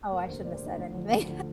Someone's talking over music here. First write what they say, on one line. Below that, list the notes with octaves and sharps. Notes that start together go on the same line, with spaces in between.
Oh, I shouldn't have said anything.
F1 A#4
D#2 D3 C5
F1 D5
C5
D#2 D3 D#4
D2 D4
D3 F3
D2
D3 F3